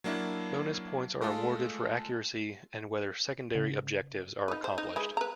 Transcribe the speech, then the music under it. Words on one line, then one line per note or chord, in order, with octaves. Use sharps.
Bonus points are awarded for accuracy and whether secondary objectives are accomplished.
F#3 A#3 D4 E4
G#3 A3 F4 A4
C#3
D#4 B4
C5
D#4
G#3 G#4 B4
B4 A#5